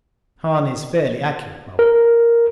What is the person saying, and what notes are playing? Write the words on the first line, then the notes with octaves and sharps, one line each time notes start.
"Hahn is fairly accurate, Moa."
A#4